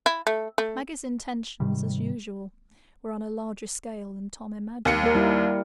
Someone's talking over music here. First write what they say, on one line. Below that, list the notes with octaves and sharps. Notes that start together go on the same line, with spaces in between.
Maggie's intentions, as usual, were on a larger scale than Tom imagined.
E4
A3
A3
G#2 C3 D#3 G3
D#2 C#7
A#3 A#4
G3 E4